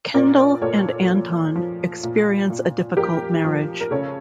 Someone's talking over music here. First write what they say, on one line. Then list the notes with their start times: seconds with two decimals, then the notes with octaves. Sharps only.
Kendall and Anton experience a difficult marriage.
0.14 A#2 A#4 D5
0.62 A#2 A4 C#5
1.09 F3
1.56 F3
2.03 A#2
2.50 A#2
2.97 F3 G4 A#4
3.44 F3
3.81 A#4
3.91 C#3 A4 C#5